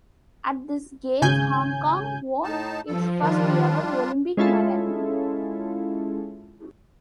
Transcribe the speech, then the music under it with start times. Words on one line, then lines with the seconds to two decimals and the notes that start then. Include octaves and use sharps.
At these Games, Hong Kong won its first ever Olympic medal.
1.22 G#1 C#3 G#5 G6
2.44 A2 D#4 A5
2.87 G2 F3 A4
3.22 D#3 G3 D4 F4
4.37 G#3 C#4 E4 F4 A4